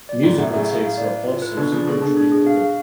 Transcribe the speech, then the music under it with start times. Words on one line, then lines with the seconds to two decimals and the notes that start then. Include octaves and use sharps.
Musical takes are also sequentially numbered.
0.09 D5
0.23 F2 G#2 D5
0.38 F#2 A2 F#5
0.53 F#2 A2 G#4
0.68 F5
0.84 F5
0.98 D5
1.13 B4
1.28 F4
1.42 B4
1.57 B2 D3 D4
1.72 C#3 F3 D5
1.87 B2 D3 G#4
2.02 B2 D3 D4
2.17 D4
2.32 G#4
2.47 F5
2.61 F5